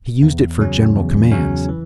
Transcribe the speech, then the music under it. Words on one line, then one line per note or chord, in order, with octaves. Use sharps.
He used it for general commands.
E2
C#3 F#3 C#4
E2
C#3 F#3 C#4
E3